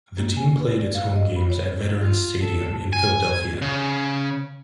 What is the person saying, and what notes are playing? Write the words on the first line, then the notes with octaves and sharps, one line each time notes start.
The team played its home games at Veterans Stadium in Philadelphia.
A#3
G#5
B4
D5
F5
D#5
B5
C#5
F4
A4
G#5
C#3